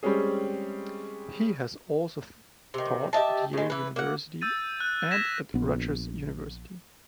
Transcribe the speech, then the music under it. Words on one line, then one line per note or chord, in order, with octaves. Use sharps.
He has also taught at Yale University and at Rutgers University.
G3 G#3 C4 C#4 G#4
C3 D#3
G4 D#5 E5 A5
A2 G#3
E3 B4
A#3 F#5
E6 G6 A6 D#7
F#6
G#6 A#6 B6 E7
A#1 B3